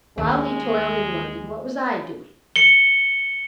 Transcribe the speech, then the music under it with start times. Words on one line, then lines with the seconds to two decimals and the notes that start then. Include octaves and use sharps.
While he toiled in London, what was I doing?
0.18 D#2 G#3
2.56 C#7 G7